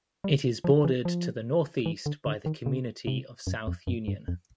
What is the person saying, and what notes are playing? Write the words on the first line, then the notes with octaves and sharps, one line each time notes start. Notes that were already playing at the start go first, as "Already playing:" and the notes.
It is bordered to the northeast by the community of South Union.
G3
F3
E3
F3
E3
D3
D3
D#3
C#3
C3
F#2
F2
F#2
G2
F2